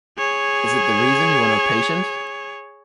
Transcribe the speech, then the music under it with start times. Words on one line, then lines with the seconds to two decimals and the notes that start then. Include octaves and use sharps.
Is it the reason you were not patient?
0.18 G#4 C#5